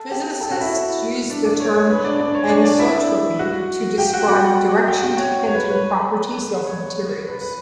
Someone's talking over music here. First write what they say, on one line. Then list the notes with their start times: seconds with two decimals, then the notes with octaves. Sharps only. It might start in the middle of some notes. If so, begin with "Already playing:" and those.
Physicists use the term anisotropy to describe direction-dependent properties of materials.
Already playing: A4 A5
0.11 G4 G5
0.41 A4 A5
0.51 F#4 F#5
0.61 E4 E5
1.30 D4 D5
1.45 D4 D5
1.60 C#5
1.75 C#5
1.90 B4
2.05 D4 D5
2.20 D4 D5
2.35 C#5
2.49 D4 D5
2.64 D4 D5
2.79 E4 E5
3.39 F#4 F#5
3.98 G4 G5
4.13 F#4 F#5
4.28 F#4 F#5
4.87 G4 G5
5.02 F#4 F#5
5.17 C#5
5.47 C#5
5.55 B4
5.70 B4
6.67 C#5
7.27 B4
7.41 B4